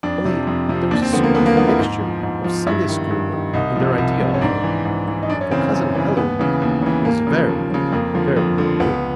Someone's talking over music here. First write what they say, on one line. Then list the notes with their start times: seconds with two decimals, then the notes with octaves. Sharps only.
Only there was a sort of mixture of Sunday-school book in their idea of her, for Cousin Helen was very, very good.
0.03 F2 D4
0.25 C3 F3
0.47 F2
0.69 C3 F3
0.91 D#2 D4
1.02 C4
1.13 D3 F3 B3
1.23 A#3
1.35 D#2 B3
1.46 A#3
1.56 D3 B3
1.60 F3
1.68 E4
1.79 G#2
2.01 F3
2.23 G#2
2.44 F3
2.67 G2 E4
2.89 D#3
3.11 G2
3.33 D#3
3.54 C2 D#4
3.76 C3 F3
3.98 C2
4.20 C3 F3
4.34 C#4
4.41 G#2 D4
4.64 E3
4.85 G#2
5.08 E3
5.23 D#4
5.29 F#2 D4
5.41 C#4
5.51 C#3 E3 C4
5.73 F#2
5.95 C#3 E3
6.17 D#2 B3
6.39 C#3 E3
6.62 D#2
6.82 C#3 E3
7.05 D#2 A#3
7.27 C#3 F3
7.49 D#2
7.70 C#3 F3
7.92 F2 A#3
8.14 D3 F3
8.36 F2
8.58 D3 F3
8.80 C#2 B3